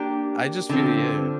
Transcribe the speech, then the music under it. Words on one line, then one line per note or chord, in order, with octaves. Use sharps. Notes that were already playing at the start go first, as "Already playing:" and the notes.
I just feel yeah.
Already playing: A#3 D4 G4
D3 F3 C4